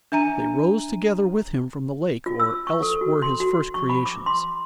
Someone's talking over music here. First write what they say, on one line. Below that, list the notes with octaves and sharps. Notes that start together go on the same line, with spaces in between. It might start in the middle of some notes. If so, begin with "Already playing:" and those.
They rose together with him from the lake, or else were his first creations.
D4 E5 G#5 A#5 D#7
F4
E6
C#6
A4
F#4
C6
F#4
C#6
B5
D6
C6